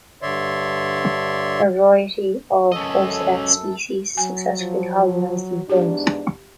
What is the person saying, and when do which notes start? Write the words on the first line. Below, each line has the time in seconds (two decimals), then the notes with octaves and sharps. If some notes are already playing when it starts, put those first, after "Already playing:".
A variety of "Osedax" species successfully colonized these bones.
0.22 G2 D3 C#5 D5 E5 C6
2.72 F#2 C#4 A4 D#5
4.17 F#3 G#5
4.60 F3
5.69 E2 G#2 D4 G4